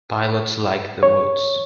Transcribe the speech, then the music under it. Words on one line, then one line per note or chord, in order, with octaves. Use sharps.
Pilots like the woods.
C#5